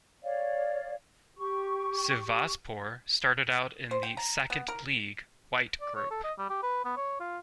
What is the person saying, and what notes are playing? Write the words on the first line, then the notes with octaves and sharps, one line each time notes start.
Sivasspor started out in the Second League, White Group.
C#5 D5 F5
G4 C#6
C5
G5
A#5
B3
A#4
D5
C#5
A4
D#5
G3
G4
B4
B3
C#5
F4